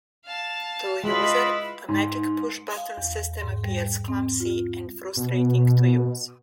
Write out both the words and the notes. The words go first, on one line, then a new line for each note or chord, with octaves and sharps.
To a user, a magic pushbutton system appears clumsy and frustrating to use.
F5 A5
G#3 E4 F4 B4 D#5
G#2
F5
E2
G#2
G3
C4
F4
B2